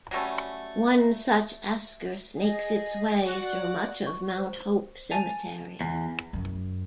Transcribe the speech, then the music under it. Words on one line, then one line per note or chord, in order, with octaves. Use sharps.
One such esker snakes its way through much of Mount Hope Cemetery.
F#3 G3 A3 C#4
G#4 D#5
F#4 D5 F#5
C#6
C5
G#5 A5 A6 D#7 F7
E2
F#2